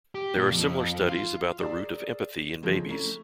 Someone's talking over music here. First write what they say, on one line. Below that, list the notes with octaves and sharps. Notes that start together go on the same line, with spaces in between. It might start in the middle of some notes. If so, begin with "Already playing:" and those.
There are similar studies about the root of empathy in babies.
G4
A#2
F2
F4
G#4 A#4 C5 D5 E5
C#3 F3 G#3 A3 C4 D#4
A3 C#4 E4 A#4 C#5